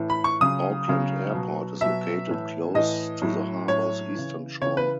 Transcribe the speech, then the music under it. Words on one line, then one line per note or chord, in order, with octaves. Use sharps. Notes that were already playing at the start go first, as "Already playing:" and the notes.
Auckland Airport is located close to the harbour's eastern shore.
Already playing: A2 E3
B5
C#6
C#3 F#3 D#6
C#3 F#3
B2 F#3
B2 F#3 E5
A2 E3
A2 E3 D#5
A2 F#3
A2 F#3 C#5
C#3 E3
C#3 E3 C#5
B4